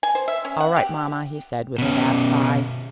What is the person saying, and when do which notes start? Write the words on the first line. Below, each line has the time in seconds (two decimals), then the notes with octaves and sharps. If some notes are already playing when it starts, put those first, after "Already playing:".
"All right, mamma," he said, with a vast sigh.
0.03 G#5
0.15 C5
0.28 E5
0.45 C#4
0.60 F#5
0.76 G4
1.78 B2 C#4